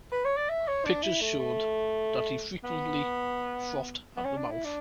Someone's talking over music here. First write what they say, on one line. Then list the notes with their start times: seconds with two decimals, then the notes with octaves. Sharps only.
Pictures show that he frequently frothed at the mouth.
0.12 B4
0.25 C#5
0.37 D5
0.49 E5
0.68 C#5
0.86 D4
1.03 E4
1.21 A3
1.39 A3
2.64 B3
4.17 B3
4.25 C#4
4.37 D4
4.51 E4
4.65 D4